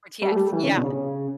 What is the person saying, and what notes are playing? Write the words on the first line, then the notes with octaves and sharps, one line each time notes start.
RTX, yeah.
G3
A3
G3
E3
C#3
D3
B2
C#3